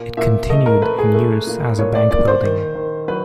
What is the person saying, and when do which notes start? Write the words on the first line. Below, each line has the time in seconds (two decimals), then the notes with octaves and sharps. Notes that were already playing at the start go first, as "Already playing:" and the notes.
It continued in use as a bank building.
Already playing: A#2
0.17 A#2 E5
0.49 A3 D#5
0.66 A#4
0.82 A3 B4
0.98 G#4
1.14 A3
1.47 A#2
1.79 A#2 C#5
1.95 D5
2.11 A#2 D5
2.28 C5
2.43 D#3
2.75 D#3
3.08 F#3 B4